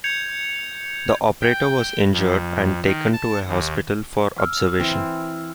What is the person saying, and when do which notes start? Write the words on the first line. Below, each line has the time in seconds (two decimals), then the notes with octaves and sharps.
The operator was injured and taken to a hospital for observation.
0.04 G6 G#6 C#7 F7
1.41 G5
2.13 F2
2.84 D#3
3.13 A5
3.48 D#2
4.39 E6 F6
4.80 E3 C4